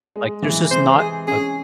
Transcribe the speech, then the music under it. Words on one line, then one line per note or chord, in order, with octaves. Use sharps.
Like there's just not a
G#3
E3
C3 C5
G#3 G#4
C#4 G#4